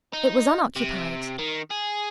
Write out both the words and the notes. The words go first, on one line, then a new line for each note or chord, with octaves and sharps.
It was unoccupied.
D#4
C3
D#3
G#4